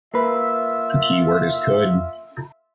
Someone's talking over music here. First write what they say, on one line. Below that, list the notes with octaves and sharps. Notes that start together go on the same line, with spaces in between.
The key word is 'could'.
A#3 F4 B4 E5